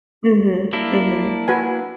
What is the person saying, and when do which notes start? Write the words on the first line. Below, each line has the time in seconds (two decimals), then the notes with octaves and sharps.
Mhm, mhm.
0.73 A#3 D4 E4
1.48 F#4 B4 G#5